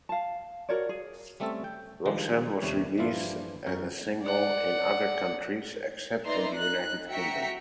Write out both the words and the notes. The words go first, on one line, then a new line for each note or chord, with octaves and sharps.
"Roxanne" was released as a single in other countries except the United Kingdom.
F5 A5
F#4 A#4 C#5 D5
G#4
G3 A3 C4 C#4 A4 E5
G5
D#3 F3 G3 G#3 D4
D#2 C3 G3 C#5
G2 E3 F3 D4 E4 F4
F#2 C#4 A#4
D5 F#5
D#4 B4 D5 E5 A#5 C6
D#4 F#6
F#4 E5 G5 A#5 B6 C#7